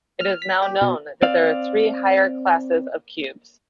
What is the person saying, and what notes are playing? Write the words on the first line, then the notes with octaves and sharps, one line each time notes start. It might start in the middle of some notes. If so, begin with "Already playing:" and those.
It is now known that there are three higher classes of cubes.
F6
B6
G4
B2
C4 D5 F5